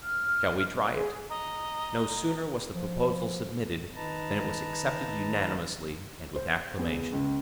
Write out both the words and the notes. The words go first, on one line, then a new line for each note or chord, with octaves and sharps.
"Shall we try it?" No sooner was the proposal submitted than it was accepted unanimously and with acclamation.
F6
G#4
D#5 A#5
F3
D#3 D#4 B4 A5 A#5
C5
E2
C#2